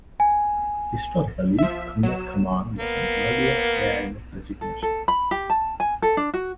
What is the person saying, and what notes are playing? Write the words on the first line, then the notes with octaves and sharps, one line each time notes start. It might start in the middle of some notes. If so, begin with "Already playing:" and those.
Historically, combat command was an earlier air unit designation.
G#5
F3 E5
F#3 E7
A#3 B3
A4
A4
B5
G4
A5
G#5
A4
D4
F#4